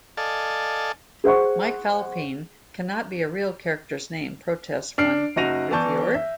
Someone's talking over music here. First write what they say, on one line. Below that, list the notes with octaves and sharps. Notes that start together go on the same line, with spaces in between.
"Mike Fallopian cannot be a real character's name," protests one reviewer.
A4 D5 D#5 F5 G#5 A5
G#4 C5 F#5 C#6
D4 F6 C7 D7
F#1 D#4 F#4 A#6 D#7 F7
E3 B3 D5 A5 C#6 G6
E5